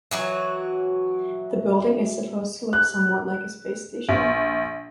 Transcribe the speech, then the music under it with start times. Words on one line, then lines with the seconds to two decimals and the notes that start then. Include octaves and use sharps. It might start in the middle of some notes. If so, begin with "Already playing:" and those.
The building is supposed to look somewhat like a space station.
0.11 E3 F#3 F#4
2.73 F#6
4.09 A#1